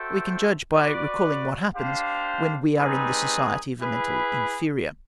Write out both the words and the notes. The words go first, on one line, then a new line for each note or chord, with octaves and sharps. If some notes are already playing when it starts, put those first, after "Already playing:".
We can judge by recalling what happens when we are in the society of a mental inferior.
Already playing: F#4 A4 C5 E5 G5
F#4 B4 D5
D4 G4 C5 F5
G3 C4 D#4 G#4 B4
E4 G#4 B4